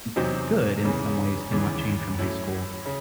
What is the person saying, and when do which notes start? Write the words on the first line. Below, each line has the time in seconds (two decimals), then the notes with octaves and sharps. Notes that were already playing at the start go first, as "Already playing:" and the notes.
g good in some ways to not change from high school.
0.16 E2 C3 F#3 C4 D#4
0.84 E2 C#3 E3
1.51 D#2 C#3 E3
2.19 A2 F#3 C#4 E4
2.85 C#3